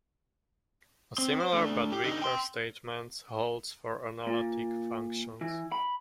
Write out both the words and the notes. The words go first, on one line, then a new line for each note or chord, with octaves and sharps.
A similar but weaker statement holds for analytic functions.
C4
C5
A3 D4
G4
D3 D#4
G5 C6
A#2
E3
B5